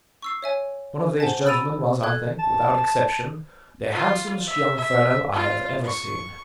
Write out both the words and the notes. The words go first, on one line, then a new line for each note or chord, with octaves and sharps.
One of these gentlemen was I think, without exception, the handsomest young fellow I have ever seen.
C#6 E6 C7
C#5 E5 G#5
C5 F#5 G#5 A5
B5 E6 A6 D7 D#7 F7
A4 F#6 G#6
A5
F4
E5
E5
F4
C#6